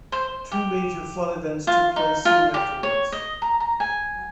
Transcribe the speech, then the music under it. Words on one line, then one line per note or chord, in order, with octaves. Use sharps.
Two major flood events took place soon afterwards.
C5
G4
F4
D#4
F4
G4
C#5
D#5
A#5
A#5
G#5